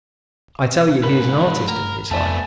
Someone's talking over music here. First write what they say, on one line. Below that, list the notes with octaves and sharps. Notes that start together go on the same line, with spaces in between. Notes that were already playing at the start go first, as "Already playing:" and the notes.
I tell you he is an artist in his line.
G#2 A#4 B4 B5
A3 A#4
F2 A3 B3 D5 F#5 G#5 A5